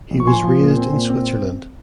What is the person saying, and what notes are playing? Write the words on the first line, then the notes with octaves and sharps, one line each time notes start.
He was raised in Switzerland.
A#1
C#6
F3 G#5 C6
F3
A#2
C4
A#2
C4